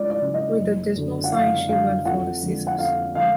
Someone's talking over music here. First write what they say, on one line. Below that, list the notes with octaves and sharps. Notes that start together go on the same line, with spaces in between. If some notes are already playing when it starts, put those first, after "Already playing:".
With a dismal sigh she went for the scissors.
Already playing: C#2 C#3 F#3 D5
D5
C#3 F#3
D#5
F#1
F#2 D3 F#3
F#5
F#1 F5
F#2 D3 F#3 F5
F2 F#5
D3 F3 G#3
F#5
F2 F5
D3 F3 G#3 F5